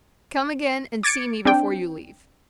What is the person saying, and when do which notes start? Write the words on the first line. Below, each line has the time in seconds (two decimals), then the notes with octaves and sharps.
Come again and see me before you leave.
1.03 D6 G#6 A6 C#7 D7
1.45 C4 D4 G5